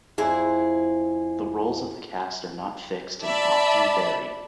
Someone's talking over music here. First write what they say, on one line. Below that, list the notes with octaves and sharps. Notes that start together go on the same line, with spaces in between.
The roles of the cast are not fixed and often vary.
F2 E4 G#4 C5
D5 E5 A5 B5